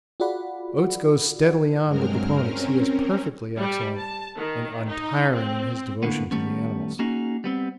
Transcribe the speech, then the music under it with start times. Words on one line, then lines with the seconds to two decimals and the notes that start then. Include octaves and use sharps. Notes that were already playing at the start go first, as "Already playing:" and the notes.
Oates goes steadily on with the ponies--he is perfectly excellent and untiring in his devotion to the animals.
0.20 F4 F#4 G#4 D5 F#5 B5
1.86 G2 F#3 G#3 C4 A#4 F6
2.37 C4 C#4 A#4
3.57 G3
3.97 A5
4.35 D#3
4.87 D#4
5.31 C4
6.03 A2 D3 A#3 B3
6.31 D#3 G3 A3 B3 C#4
6.99 A#3 C#4 D#4 F#4 G#4
7.44 G3 B3 C4